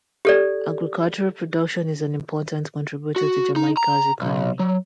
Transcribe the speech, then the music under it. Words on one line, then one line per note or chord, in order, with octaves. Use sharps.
Agricultural production is an important contributor to Jamaica's economy.
G4 A4 D5
F#4
D#4
A#5
B1
F#3